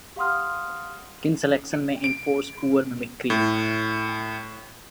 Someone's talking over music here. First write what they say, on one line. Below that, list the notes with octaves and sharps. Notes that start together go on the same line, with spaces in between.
Kin selection may enforce poor mimicry.
G4 F5 F#5 C6 D#6 F6
D7
A2